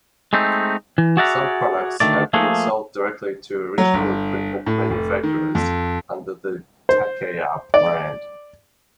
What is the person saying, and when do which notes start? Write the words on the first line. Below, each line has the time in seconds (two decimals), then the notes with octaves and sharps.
Some products have been sold directly to original equipment manufacturers under the Takaya brand.
0.33 G#3 A3 C4 D#4
0.98 E3
1.17 F#4 G#4 D5 E5 F#5 A#5
2.00 D2 D#3 A3 D5
2.33 F3 A3 A#3 G#4
3.78 F#3
3.94 G1
4.66 A2
4.90 F1
5.23 D#3
5.55 F2
6.89 C5
7.74 D5